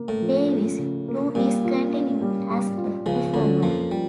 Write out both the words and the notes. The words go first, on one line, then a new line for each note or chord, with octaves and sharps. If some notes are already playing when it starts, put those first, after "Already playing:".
Davis, too, is continuing as a performer.
Already playing: C#3 A#3
A2
F3
C#4
C#3
A#3
A#2 G3
F4
C#4
G3
G3
F4
C#2 C#3 F3
D2 D3 C#4
F2 F3 A#3
F3 G3